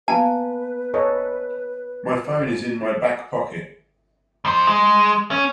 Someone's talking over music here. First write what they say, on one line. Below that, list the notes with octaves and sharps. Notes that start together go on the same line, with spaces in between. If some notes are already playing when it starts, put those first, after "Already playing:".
My phone is in my back pocket.
A#3 B3 B4 F5 G#5 A5
A4 C#5 D#5
F2 C5
G#3
C#4